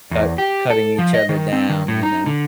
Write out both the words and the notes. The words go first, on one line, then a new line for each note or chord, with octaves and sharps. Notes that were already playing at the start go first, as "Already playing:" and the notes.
cut cutting each other down, you know?
E2
G4
A4
F3
D#5
D#3
C4
D#3
A2
D#4
D3